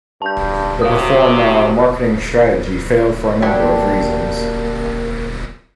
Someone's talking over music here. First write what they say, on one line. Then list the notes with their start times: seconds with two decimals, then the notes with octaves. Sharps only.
The Performa marketing strategy failed for a number of reasons.
0.22 G2 A5 G6
0.82 C3 F#3 F5 D#6
3.42 F#3 A#3 D4 G4 G5 B5